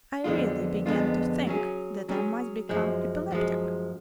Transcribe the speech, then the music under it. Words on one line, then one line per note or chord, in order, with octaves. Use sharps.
I really began to think that I might become epileptic.
F2 D3 G#3 B3 F4
F2 D3 G#3 B3 F4
F#3 C#4 G#4
F#3 C#4 G#4
F#2 F3 G#3
F#2 F3 G#3